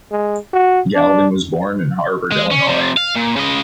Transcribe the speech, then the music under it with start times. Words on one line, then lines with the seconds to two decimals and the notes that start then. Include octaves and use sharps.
Galvin was born in Harvard, Illinois.
0.11 G#3
0.53 F#4
0.95 D4
2.32 G#3
2.51 C#4
2.67 C3 F3
2.97 F5
3.16 A#2
3.36 C#3 D#5